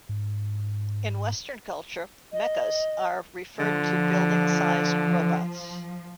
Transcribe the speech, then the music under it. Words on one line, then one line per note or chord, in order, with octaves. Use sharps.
In Western culture, mechas are referred to building sized robots.
G#2
D#5
D3 F3